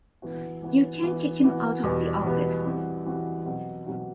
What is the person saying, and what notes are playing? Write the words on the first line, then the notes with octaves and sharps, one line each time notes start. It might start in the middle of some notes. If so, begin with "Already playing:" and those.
You can't kick him out of the office.
E3 B3 F#4
E3 B3 F#4
E3 B3 F#4
E3 B3 F#4
E2 B2 G3 B3
E2 B2 G3 B3
E3 G3 C4 F#4
E3 G3 C4 F#4
B2 F#3 C4 F#4
B2 F#3 C4 F#4